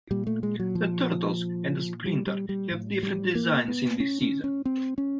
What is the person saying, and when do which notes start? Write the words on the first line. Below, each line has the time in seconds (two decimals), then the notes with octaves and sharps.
The Turtles and Splinter have different designs in this season.
0.11 A#2 G3
0.27 A3
0.43 G#3
0.60 F#3
0.75 F3
2.06 G3
2.27 G3
2.49 G3
2.71 A2
3.03 G3
3.35 A#3
3.68 B3
4.00 C#4
4.22 C#4
4.44 C#4
4.65 C4
4.98 C#4